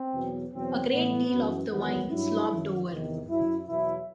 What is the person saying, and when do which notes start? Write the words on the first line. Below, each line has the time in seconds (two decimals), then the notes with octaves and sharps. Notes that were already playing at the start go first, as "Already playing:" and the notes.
A great deal of the wine slopped over.
Already playing: C4
0.13 E2 B2 F#3
0.53 E2 B2 F#3 C4
0.92 A2 E3 B3
1.31 F#2 E3
1.70 E2 D#3 F#3 B3
2.10 G2 F#3 E4
2.50 F#2 D#3 F#3
2.89 E2 C3 D#3
3.29 F#2 F#3 E4
3.67 E2 B2 F#3 E4